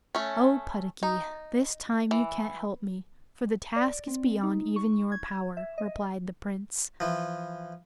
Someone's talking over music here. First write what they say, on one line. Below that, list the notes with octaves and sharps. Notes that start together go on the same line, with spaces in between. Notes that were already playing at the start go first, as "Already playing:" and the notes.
'Oh, Puddocky, this time you can't help me, for the task is beyond even your power,' replied the Prince.
A3 C#4
D#4
E3
D5
C4
D#4
C#6
G#6
E5
D#5
E3 F3